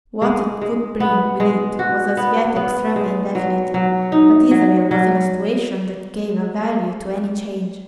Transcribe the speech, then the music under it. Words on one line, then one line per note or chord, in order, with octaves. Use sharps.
What it would bring with it was as yet extremely indefinite; but Isabel was in a situation that gave a value to any change.
G#3
G#3
B3
G#3
F#4
B3
B3
G#3
F#3
F#3
D#4
F#3
F#3